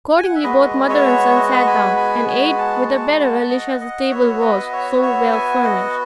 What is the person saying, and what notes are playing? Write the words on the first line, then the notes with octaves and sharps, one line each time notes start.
Accordingly, both mother and son sat down, and ate with the better relish as the table was so well furnished.
G#5
F#5
E5
G#3 B3 F#4 B4 D#5
C#5 E5
D#5 F#5
C#6
G#5 B5
G#5 B5
G#5 B5
B5
F#5 A5
F#5 A5
F#5 A5
D#5 F#5
D#5 F#5
B3 F#4 C#5 E5
B4 D#5
C#5 E5
C#5 E5
E5 G#5
D#5 F#5